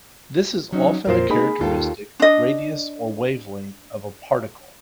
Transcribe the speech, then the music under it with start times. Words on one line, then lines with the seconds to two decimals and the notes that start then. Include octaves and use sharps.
This is often a characteristic radius or wavelength of a particle.
0.72 F#3 C#4 D#4
1.07 F2 A#2 F4 A#4 C5
1.30 G#3 A#3 D#4 G#4 B5
1.61 D#2 F4 A4
2.20 D4 D#5